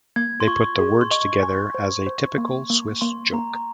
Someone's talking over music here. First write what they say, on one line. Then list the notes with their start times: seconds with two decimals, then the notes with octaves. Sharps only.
They put the words together as a typical Swiss joke.
0.16 A#3 G#6
0.40 C6
0.48 F4 C#6
0.80 G#4
1.01 C6
1.11 D#5 C#6
1.43 G#5
1.75 C5
2.07 C5
2.38 A#3
2.70 A#3
3.01 A#3 C6
3.33 A#3 A#5
3.56 A#5